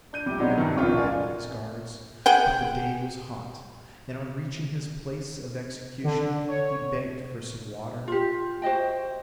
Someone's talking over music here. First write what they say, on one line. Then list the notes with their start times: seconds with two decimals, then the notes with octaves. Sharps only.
He went quietly with his guards, but the day was hot, and on reaching his place of execution he begged for some water.
0.13 D4 G6 D#7
0.26 A#1 C3 G3 D6
0.39 F#3 G#3 B3 D4 D#4
0.58 G2 C3 D#3
0.77 E1 A#1 E2 C#4 F4 C#6
0.97 F#4 A#4 D5 F5 G#5
2.26 G#4 F#5 G5
6.04 D3
6.48 C#5
8.08 F4 G4
8.62 F#4 C5 D#5 G5